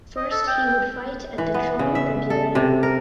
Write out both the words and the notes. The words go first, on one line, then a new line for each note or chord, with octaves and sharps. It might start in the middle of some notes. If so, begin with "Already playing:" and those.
First he would fight at the Trois Rivieres.
D#5
A4
G5
G5
E3
B3
C#3
E5
A4
C3
A#4